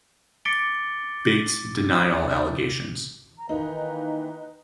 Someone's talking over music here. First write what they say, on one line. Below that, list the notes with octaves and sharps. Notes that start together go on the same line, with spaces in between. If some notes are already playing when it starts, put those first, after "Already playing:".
Bates denied all allegations.
D6 A6 B6 C#7 D7 G7
A#5
D#3 E3 A#3 D#4 B4